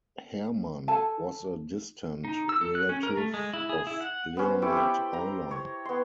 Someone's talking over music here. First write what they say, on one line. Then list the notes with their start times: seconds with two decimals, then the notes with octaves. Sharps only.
Hermann was a distant relative of Leonhard Euler.
0.88 A4 G#5 A5
2.25 D#4
2.49 E6
2.61 A4
2.75 F#6
2.89 C#4
3.03 A#4
3.17 A3
3.34 G#3
3.54 E4
3.69 G#4
3.87 E4
4.01 F#5
4.37 B3 C#4 C5
4.62 E4 G4 C#5 D5
4.76 C5 G5 B5
5.13 A#5
5.51 C#5
5.85 B3 C6